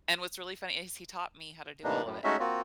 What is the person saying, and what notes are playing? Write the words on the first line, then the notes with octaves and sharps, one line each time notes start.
and what's really funny is he taught me how to do all of it.
A2 C3 E3 A#3 D4 D#4
F#2 A2
G#3 A3 C#4 D#4 F#4 E5
A#3 C4 F4 F#4